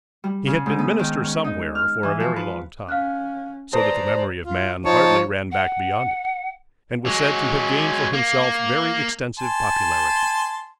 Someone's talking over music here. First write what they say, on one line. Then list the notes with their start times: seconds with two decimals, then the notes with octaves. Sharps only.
He had been minister somewhere for a very long time, so that the memory of man hardly ran back beyond it, and was said to have gained for himself very extensive popularity.
0.24 G3
0.47 C#3
0.66 G#2
0.79 B3
0.99 D#3
1.24 C#4
1.44 D#4
1.75 F6
2.03 E3
2.20 F3
2.36 B4
2.89 C#4 F5 F6 F#6
3.73 B4 C5 D5 A5 A#5 D#6
4.45 F4
4.85 F3 D#4 C#5 A5
5.52 F#5
7.06 F#3 G#3
8.13 A#3
9.39 G#5 A5 C6